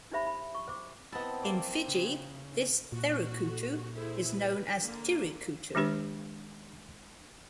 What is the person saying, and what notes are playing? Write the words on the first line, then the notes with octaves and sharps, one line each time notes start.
In Fiji - this Therukootu is known as Tirikutu.
D4 D#4 G4 C5 E5 B5
D#4 B5
C#6
C5 D6
B3 C4 E4 D#5 A5
A#3 D5
C#3
A#2 F#4
E4 G#4 C5
B4
D3 A#3
D#3 G#3 D4 G4 B4